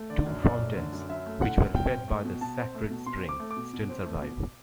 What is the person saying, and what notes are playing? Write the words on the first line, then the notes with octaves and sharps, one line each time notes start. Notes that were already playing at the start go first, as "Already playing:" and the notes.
Two fountains, which were fed by the sacred spring, still survive.
Already playing: A3
D3 D5
F#2
F#2 D5
A3
D3
F#2
F#2 E5
A3
D3 F#5
F#2
B2 G5
C4
A3
B2
B2 A5
C4
A3
B2
B2 C6
C4
D6
A3
D6
B2
B2
C4
A3
B2